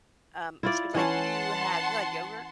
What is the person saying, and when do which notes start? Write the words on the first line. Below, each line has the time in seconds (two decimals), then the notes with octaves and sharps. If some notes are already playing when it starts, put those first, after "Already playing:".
Um, so like, do you have do you like yogurt?
0.63 E4 F4 D5
0.94 E3 C#4 F#5 A5 C6